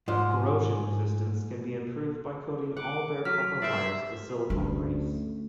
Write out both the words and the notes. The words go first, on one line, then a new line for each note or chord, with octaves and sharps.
Corrosion resistance can be improved by coating all bare copper wires with silicone grease.
G#2 F3 C6
G#5
F#5 D6
F#3 F6 B6
C5 D5 E5 C7
D2 A3 C#4